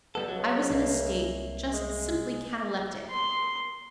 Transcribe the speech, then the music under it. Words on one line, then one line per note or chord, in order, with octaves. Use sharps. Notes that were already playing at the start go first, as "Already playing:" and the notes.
I was in a state just simply cataleptic.
G3 G#3 B3 A4
C#2 F#3
C2 A#3
G#3
C6